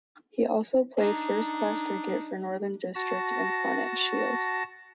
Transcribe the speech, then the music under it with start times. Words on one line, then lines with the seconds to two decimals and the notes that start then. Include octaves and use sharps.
He also played first-class cricket for Northern Districst in the Plunket Shield.
0.97 D4 D#4
2.95 F#4 A5 A#6